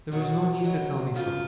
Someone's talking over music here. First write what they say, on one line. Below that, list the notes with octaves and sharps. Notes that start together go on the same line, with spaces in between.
There was no need to tell me so.
B2 F#3 F#4
B2 F#3
C#3 F3 F4